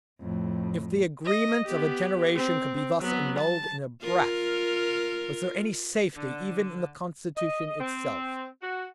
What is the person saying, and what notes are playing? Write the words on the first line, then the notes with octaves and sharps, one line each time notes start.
If the agreement of a generation could be thus annulled in a breath, was there any safety even in the Constitution itself?
F2 A2
D#5
B3 G4
C4
F#3 B3
A5
F4 A#4
D3
D#5
C4
F#4